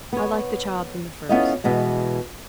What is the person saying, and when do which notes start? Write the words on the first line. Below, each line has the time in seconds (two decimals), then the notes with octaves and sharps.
I liked the child from the first.
0.13 B3 C#5
1.29 B3 C#4 E4 F4 A4 D#5
1.64 B2 E3 G#3